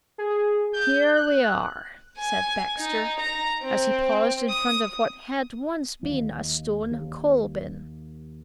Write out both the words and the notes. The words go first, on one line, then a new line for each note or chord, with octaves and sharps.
"Here we are," said Baxter, as he paused in front of what had once been a stone coal bin.
G#4
G6
F#6
G#5
D#4
A#5
C4
D#6
D#2
D#2